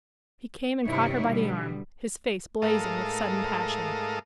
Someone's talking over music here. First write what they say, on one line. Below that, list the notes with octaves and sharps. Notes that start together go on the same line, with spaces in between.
He came and caught her by the arm, his face blazing with sudden passion.
G2 C3 D#3 D#4 E4 C#5
B2 D3 G3
G#2 A3 A4 A#4 F5 D#6